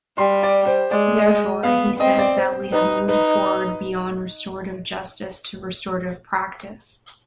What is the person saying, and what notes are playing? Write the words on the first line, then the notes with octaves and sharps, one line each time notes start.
Therefore, he says that we have moved forward beyond restorative justice to restorative practice.
G3 C6
D5
C5
G#3 D5
D#5
B3 F5
C4 D#5
D5
C5
D#4 B4
D#4 B4